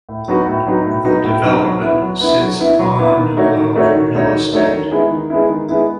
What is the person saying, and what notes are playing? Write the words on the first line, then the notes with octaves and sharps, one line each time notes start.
The development sits on of real estate.
A2
F#3 B3 D#4 F#4
A2
F#3 B3 D#4 F#4
A2
F#3 B3 D#4 F#4
A2
F#3 B3 D#4 F#4
F#3
B3 E4
F#3
B3 E4
F#3
B3 E4
F#3
B3 E4
D#3
A3 D#4 F#4 C#5
D#3
A3 D#4 F#4 C#5
D#3
A3 D#4 F#4 C#5
D#3
A3 D#4 F#4 C#5
D#3
G#3 B3 E4
D#3
G#3 B3 E4
D#3
G#3 B3 E4